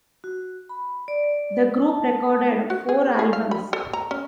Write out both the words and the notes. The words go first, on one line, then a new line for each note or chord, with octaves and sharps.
The group recorded four albums.
F#4
B5
D5
A5
F#4
G#4
G#4
F5
B5
A4
A#5
C#4